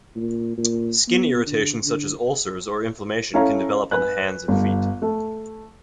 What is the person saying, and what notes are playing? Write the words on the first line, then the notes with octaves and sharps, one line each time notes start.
Skin irritations such as ulcers or inflammation can develop on the hands and feet.
A#2
A#2
B3
D3
D3
C#4 E4 A4 C#5 F5 A#5
B4 G#5 F#6
G1 G2
A3